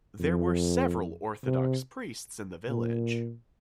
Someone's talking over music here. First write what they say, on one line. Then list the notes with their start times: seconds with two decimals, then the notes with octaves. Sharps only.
There were several Orthodox priests in the village.
0.20 F2
1.44 C3
2.69 A#2